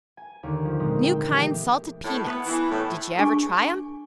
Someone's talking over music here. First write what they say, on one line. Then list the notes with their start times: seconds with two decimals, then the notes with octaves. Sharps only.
NEW KIND SALTED PEANUTS Did you ever try them?
0.17 G#5
0.43 D#2 D3 C#6
0.65 F3
0.80 A#2 G#3 C4 D#4
1.01 G5 E6
1.31 E3 G#3 A3 D4 G4
2.05 A2
2.27 B3
2.46 E3
2.71 A2
3.19 D4 G#4 G#5 C#6 D6